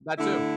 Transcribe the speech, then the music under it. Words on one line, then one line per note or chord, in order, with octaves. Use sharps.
that too.
D3 A3 E4